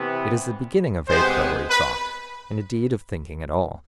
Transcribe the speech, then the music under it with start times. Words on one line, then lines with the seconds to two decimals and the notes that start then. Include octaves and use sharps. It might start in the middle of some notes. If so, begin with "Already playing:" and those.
It is the beginning of a priori thought, and indeed of thinking at all.
Already playing: C3 E3 B3
1.08 C3 G#3 B3 C5
1.68 B4